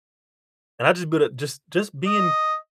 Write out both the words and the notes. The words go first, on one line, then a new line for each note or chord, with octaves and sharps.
And I just but, uh, just just being k
D#5